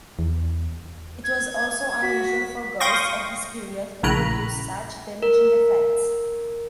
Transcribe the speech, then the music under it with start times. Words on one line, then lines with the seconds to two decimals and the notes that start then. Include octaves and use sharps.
It was also unusual for ghosts of this period to produce such damaging effects.
0.19 E2
1.24 G#6
2.02 F#4 B6
2.80 F5 G5 C6 C#6 D#6 A#6
4.03 A#1 A2 C#3 A#5 B5 F#6
5.23 A#4